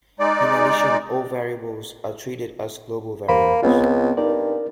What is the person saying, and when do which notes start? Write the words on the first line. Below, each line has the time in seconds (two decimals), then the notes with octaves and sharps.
In addition, all variables are treated as global variables.
0.19 G#3 D#4 D5
3.29 E2 A#3 C5 B5
3.63 C#2 B3 C4 F4
4.17 G2 D#4 A#4 D5